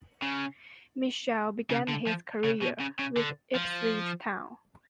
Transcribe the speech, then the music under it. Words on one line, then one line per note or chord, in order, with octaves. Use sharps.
Mitchell began his career with Ipswich Town.
C#3
C#3
D3
F3
C#3
B2
C#3
C#3
D3
F3